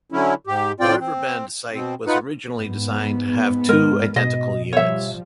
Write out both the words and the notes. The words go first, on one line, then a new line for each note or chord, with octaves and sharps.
The River Bend site was originally designed to have two identical units.
D3 F#3 C#4 E4
G#2 G4
A2 C4 F4 D5 G5
C4
B2 C4
D#4 F4 B4 F#5
G#2 B3
G#3 A#4
B2 D#5
F3 G3 C#5 E5